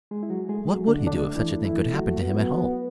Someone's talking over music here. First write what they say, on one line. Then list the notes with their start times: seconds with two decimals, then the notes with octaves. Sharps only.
What would he do if such a thing could happen to him at home?
0.11 G#3 G#4
0.23 E4
0.30 F#3 F#4
0.49 G#3 A3 G#4
0.69 F#3 F#4
0.88 D3 D4
1.07 D3 D4
1.36 E3 E4
1.65 E3 E4
1.94 F#3 F#4
2.22 B3 F#4
2.30 E4
2.37 F#3 F#4